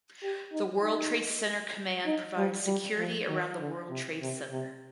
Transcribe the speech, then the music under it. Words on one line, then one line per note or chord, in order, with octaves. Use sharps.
The World Trade Center command provides security around the World Trade Center.
G4
D#4
D#4
D#4
G3
G3
F3
D#3
D3
C3
C3
C3